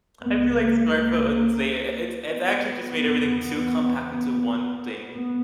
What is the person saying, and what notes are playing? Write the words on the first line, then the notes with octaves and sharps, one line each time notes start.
I feel like smartphones, they, uh i it's it's actually just made everything too compact into one thing.
C#2 C#3 B3
A#3
B3
E2 C#3
B3